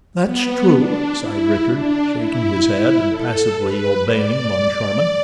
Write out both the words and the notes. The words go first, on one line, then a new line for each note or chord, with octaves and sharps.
"That's true!" sighed Richard, shaking his head and passively obeying Moncharmin.
B3
D4
E4
D4
E4
E4
A4
B4
D5